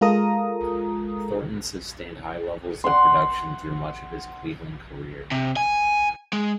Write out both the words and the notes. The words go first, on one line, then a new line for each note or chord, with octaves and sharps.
Thornton sustained high levels of production through much of his Cleveland career.
G#3 F4 A4 A#4 A#5 D#6
F#5 C6
C3
G#5
G#3